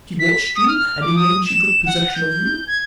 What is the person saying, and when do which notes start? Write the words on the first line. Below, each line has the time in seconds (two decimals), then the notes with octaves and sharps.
She watched you, and in the end she took possession of you?
0.19 B6
0.56 D#6
0.68 F6
1.01 D6
1.16 D#6
1.46 E7
1.86 F#5
2.14 G6
2.67 G#6